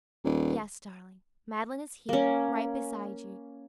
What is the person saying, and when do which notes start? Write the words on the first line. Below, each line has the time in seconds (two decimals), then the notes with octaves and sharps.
Yes, darling, Mad'len is here--right beside you.
0.24 D#1
2.09 A#3 C#4